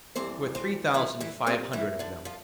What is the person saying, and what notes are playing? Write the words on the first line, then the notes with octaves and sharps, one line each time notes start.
There were three thousand five hundred of them.
F2 E3 G3 C4 C5
C4 C5
E3 E4
E3 E4
C3 C4
E3 E4
D3 D4
F3 F4